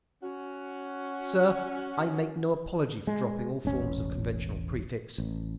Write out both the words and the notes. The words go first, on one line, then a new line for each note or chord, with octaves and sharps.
Sir, I make no apology for dropping all forms of conventional prefix.
C#4 F#4
G#3
E1 A1 C#4
A1